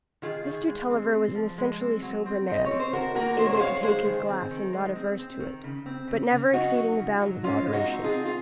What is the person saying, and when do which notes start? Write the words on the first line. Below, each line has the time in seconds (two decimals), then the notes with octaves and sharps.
Mr. Tulliver was an essentially sober man,--able to take his glass and not averse to it, but never exceeding the bounds of moderation.
0.22 D#3 F4 G#4
0.46 D#3
0.67 G#3
0.90 C4
1.13 C4
1.35 F3
1.58 G#3
1.81 C4
2.02 F#3
2.26 C4
2.48 C4 D#5
2.65 C#5
2.71 C4
2.80 C5
2.92 D#3 F#4 A#4
3.15 A#3 F#4 A#4
3.38 D#3 C5
3.46 C#5
3.52 G#4 C5
3.60 D#3 C#5 F5
3.83 G#3 G#4 C5
4.05 D#3
4.28 C4
4.51 D#3
4.73 G#3
4.95 C4
5.18 C4
5.40 D#3
5.64 C#3
5.86 C4
6.08 C#3
6.30 C#3
6.53 F#3 D#4 F#4
6.75 F#3
6.99 C#3
7.21 F#3
7.43 G#3 C#4 F4
7.65 G#3
7.73 D#4 F#4
7.88 C4
8.03 F4 G#4
8.11 C4
8.25 F4